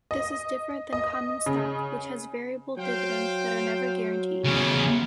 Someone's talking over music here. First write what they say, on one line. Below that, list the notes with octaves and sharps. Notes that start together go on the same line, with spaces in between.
This is different than common stock, which has variable dividends that are never guaranteed.
D#5
D#5
C#3
F#3 C5 F5 G5
E2 C#3 C#4